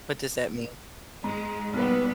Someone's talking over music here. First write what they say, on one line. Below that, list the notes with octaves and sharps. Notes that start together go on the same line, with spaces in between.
What does that mean?
G#2 G#3
B1 G3 B3 B4